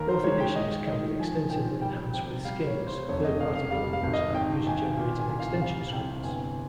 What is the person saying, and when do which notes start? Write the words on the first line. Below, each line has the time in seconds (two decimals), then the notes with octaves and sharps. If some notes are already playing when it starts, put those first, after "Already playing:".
Both editions can be extensively enhanced with skins, third-party plugins, and user-generated extension scripts.
Already playing: D#2 A#4
0.08 C5
0.24 G#3 C#5
0.40 G5
0.55 D#2 D#5
0.87 D#3 D#5
1.19 F3 G#5
1.50 A#2 G5
1.82 G3 G5
2.13 C3 G5
2.45 G3 F5
2.66 C#5
2.77 G3
2.87 C5
3.08 F1 C#5
3.25 D#5
3.40 F1 F5
3.55 F5
3.71 G3 F5
3.93 F5
4.03 G#1
4.13 D#5
4.34 D#3 G5
4.66 D#2 G#5
4.98 A#2
5.20 G#5
5.29 C2
5.40 F5
5.62 G3 F5
5.92 C2 G5
6.24 G1 G#5